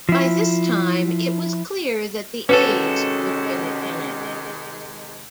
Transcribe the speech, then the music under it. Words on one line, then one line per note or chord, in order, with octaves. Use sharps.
By this time, it was clear that the A's would win the pennant.
F3 E4
C3 D#3 G#3 C#4 F#4 A4 B4